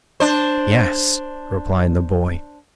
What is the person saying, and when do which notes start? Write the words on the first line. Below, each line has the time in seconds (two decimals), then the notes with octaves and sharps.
"Yes," replied the boy.
0.20 D4 C5